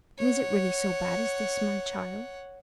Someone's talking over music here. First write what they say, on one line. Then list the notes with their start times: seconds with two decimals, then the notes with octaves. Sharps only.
And is it really so bad as this, my child?
0.18 C#5 F#5